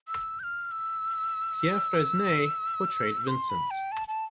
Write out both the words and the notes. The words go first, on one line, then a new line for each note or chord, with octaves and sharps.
Pierre Fresnay portrayed Vincent.
E6
G6
F6
E6
C6
B5
G5
A5
A5